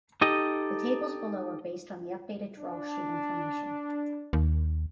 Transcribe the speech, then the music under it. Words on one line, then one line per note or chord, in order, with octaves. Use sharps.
The tables below are based on the updated draw sheet information.
D#4 G4 A4 D#5
D4
D#2